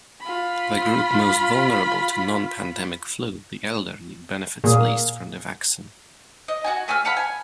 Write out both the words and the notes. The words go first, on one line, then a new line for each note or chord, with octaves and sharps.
The group most vulnerable to non-pandemic flu, the elderly, benefits least from the vaccine.
F4 B5
A#2 A#3 G#4
D#5
F#4 F#5 G#5
A3 G#5 E6 F6
F5 F#5 A5 B5
G#5